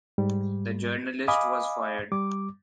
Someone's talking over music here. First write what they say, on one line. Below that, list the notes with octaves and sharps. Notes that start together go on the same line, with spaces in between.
The journalist was fired.
G#2 G3
D#5 F5 G#5 B5 D6 D#6
G3 D6